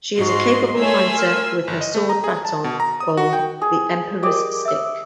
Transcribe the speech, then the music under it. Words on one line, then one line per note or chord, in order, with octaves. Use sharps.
She is a capable fighter with her sword baton, called the "Emperor's Stick".
G#2 F#4 C6
A3 C#5 G#5 C6 E6
A#4
G1
D#5
A3
A#5
G#4
A5
B2
A#5
D#6
F#4
G5
G#4
G4 G#4 A#4 D5 D#5
E5 E6